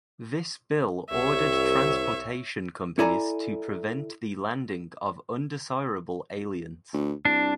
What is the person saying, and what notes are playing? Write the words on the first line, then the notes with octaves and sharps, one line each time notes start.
This bill ordered transportation companies to prevent the landing of "undesirable aliens".
C2 C#5 E5
E4 A4 D5 G#5 A#5
D2
C2 D4